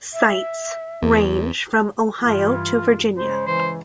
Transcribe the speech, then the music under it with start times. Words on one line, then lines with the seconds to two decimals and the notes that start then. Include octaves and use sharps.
Sites range from Ohio to Virginia.
0.14 E5
1.03 E2
2.20 G2 E3 F4
3.17 C#3 G#3 C5
3.47 E3 C5